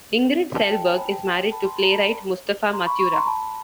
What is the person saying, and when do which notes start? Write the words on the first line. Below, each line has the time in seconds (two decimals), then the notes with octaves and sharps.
Ingrid Selberg is married to playwright Mustapha Matura.
0.57 G5 A5
0.72 G5 A5
0.86 G#5 A#5
0.98 A5 B5
1.11 G5 A5
1.25 G5 A5
1.52 A5 B5
1.65 C6
1.75 B5
1.83 A#5
1.92 A5 B5
2.73 A#5 C6
2.86 B5 C#6
3.00 B5 C#6
3.13 A#5 C6
3.26 A5 B5